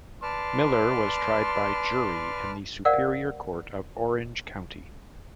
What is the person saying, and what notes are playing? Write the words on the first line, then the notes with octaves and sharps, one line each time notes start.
Miller was tried by jury in the Superior Court of Orange County.
B4 D5 A5 C6 F6
A#4 C5 D5 F5 F#5